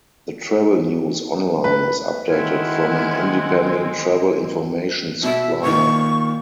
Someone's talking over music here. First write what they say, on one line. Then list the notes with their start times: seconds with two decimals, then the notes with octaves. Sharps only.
The travel news online is updated from an independent travel information supplier.
1.64 B4
2.28 D#3 G#3 C4 E4 F#5 F6 G#6
5.23 B2 E5
5.62 A#2 D#3 C#6